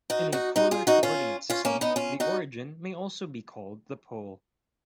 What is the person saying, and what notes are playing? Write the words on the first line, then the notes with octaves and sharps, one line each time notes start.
In a polar coordinate system, the origin may also be called the pole.
D#4 F#4
D#4 F#4
D#4 F#4
F4 G#4
D#4 F#4
C#4 F4
C#4 F4
A#3 C#4
B3 D#4
C#4 F4
D#4 F#4